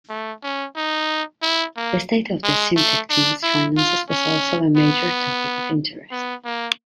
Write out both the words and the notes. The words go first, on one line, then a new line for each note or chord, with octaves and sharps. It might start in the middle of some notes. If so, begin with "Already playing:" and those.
The state of the Simtek team's finances was also a major topic of interest.
A3
C#4
D#4
E4
A#3
G#3
A3
D4
E4
F4
C#4
B3
B3
A#3